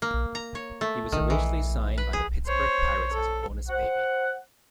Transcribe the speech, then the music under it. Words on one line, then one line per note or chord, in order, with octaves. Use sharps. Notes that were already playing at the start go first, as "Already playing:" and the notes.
He was originally signed by the Pittsburgh Pirates as a bonus baby.
A#3
A#5
C#5
A3
D#3
E3
B4
G#4
C5 C#5
A4
C5 F#5